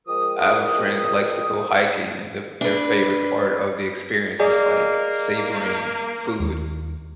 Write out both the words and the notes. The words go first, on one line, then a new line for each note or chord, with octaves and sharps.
I have a friend that likes to go hiking and the their favorite part of the experience is, like, savoring food
F3 G#3 A#4 G5 D#6
D4 B4
A#3 G#4 D5 D#5
D#2